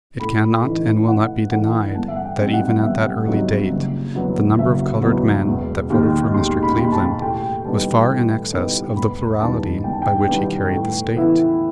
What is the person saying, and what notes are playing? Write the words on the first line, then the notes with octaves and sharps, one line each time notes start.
It cannot and will not be denied that even at that early date the number of colored men that voted for Mr. Cleveland was far in excess of the plurality by which he carried the State.
A2 B5
E3 A3 D#4
A2 F#5
E3 A3 D#4 F#5
G1 A5
E5
F#5
G5
G2 F#3 C4 D#4
F#5
G1 E5
G2 F#3 C4 D#4
F#1
E2 B2 F#3 B3
F#1 E5
E2 B2 F#3 B3
E1
D#2 D#3
E1 C6
B5
D#2 D#3
A5
A2 G5
G3 B3 D#4 A5
A2
G3 B3 D#4
E1 B5
E2 D#3 G3 B3 A5
E1 G5
A5
G5
E2 D#3 G3 B3
A2
E3 B3 E4